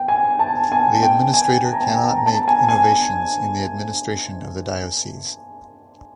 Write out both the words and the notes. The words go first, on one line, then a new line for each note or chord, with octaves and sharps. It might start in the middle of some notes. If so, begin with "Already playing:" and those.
The administrator cannot make innovations in the administration of the diocese.
Already playing: G5
G#5
A5
G#5
G5
G#5
A5
A#5
A5
A#5
A#5
A5
G#5
G#5